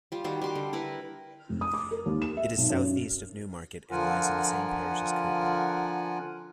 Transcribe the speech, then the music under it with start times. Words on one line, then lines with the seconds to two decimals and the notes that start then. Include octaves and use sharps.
It is south-east of Newmarket and lies in the same parish as Kirtling.
0.12 G3 F4
0.24 D#3 G3 F#4
0.42 G3 C6 D6
0.55 D3
0.73 E4 A#4 B4
1.49 F1
1.61 D#6
1.74 D6
1.91 A#4
2.06 D#2
2.22 E7
2.37 E5
2.58 B1
2.70 F#2
2.85 C#4
3.91 D3 F3 F4 A#4 F#5 G#5